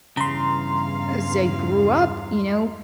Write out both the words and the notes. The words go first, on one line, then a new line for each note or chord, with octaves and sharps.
as I grew up, you know,
E2 G2 C#3 F5 A#5 C6